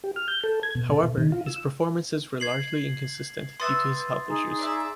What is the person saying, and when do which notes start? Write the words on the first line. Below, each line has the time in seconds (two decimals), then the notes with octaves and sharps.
However, his performances were largely inconsistent due to his health issues.
0.04 G4
0.16 F6
0.28 G6
0.44 A4
0.63 G#6
0.75 B2
0.92 A4
1.03 B2
1.18 D#3
1.32 F4
1.46 E6
2.40 G#6 C7 F#7
3.60 B3 E5 C6 E6 A6
4.27 D#4 G#4
4.59 D5 E5